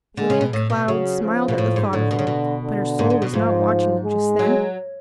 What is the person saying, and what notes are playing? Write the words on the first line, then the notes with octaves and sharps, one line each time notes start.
Julia Cloud smiled at the thought of them, but her soul was not watching them just then.
D3 G#3
C#3
B2
A2
B2
C#3 F#3
F3
B2
A2
G#2
A2 D3
B2
C#3
B2
D3
G#2
G#2
B2
G#2 F3
G#3
F#3